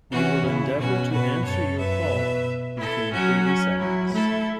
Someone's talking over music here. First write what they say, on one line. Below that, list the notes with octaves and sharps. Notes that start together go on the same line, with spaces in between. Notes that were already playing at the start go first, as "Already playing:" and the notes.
We will endeavour to answer your call within thirty seconds.
E3 C#4 F#4
C#3 E4
B2 C#4 F#4
B2 F#4 B4
F#2 A4 C#5
F#2 B4 E5
B2
E4 A4
F#3 C#4 F#4
C#4
F#3 E4
A3 E4 A4